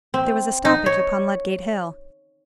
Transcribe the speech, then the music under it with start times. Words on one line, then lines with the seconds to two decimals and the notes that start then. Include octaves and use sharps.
There was a stoppage upon Ludgate Hill.
0.14 C4
0.65 D#4
0.86 C#5